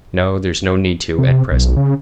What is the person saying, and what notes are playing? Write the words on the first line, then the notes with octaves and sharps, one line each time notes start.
"No, there's no need to, at present."
C3
B1
C#3